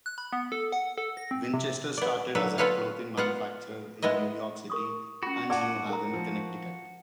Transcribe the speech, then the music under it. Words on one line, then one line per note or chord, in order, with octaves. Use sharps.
Winchester started as a clothing manufacturer in New York City and New Haven, Connecticut.
F#6
B5
B3
A4
F#5
A4
A#6
C4
C3
B3 D5
D3 F#3 A4 B4
B3 F4 A4 B4 C#5 F5
B3 F4 F#5
G#3 B3 E4 D#5
A#4 C#6 D#6
C#4 F4 F#4
D5 F#5 A5 D6
A#4 A#5
F3